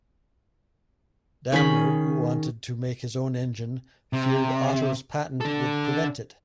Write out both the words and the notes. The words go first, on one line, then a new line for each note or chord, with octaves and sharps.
Daimler who wanted to make his own engine, feared Otto's patent would prevent it.
D#3 C#4 G#4 B5
C3
D4 A4